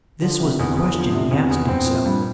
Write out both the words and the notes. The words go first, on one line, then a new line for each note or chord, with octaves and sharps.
This was the question he asked himself.
D3 F3
C3
E2
E2
F3
C3
E2
E2
C3
A#2 C4
F3
G2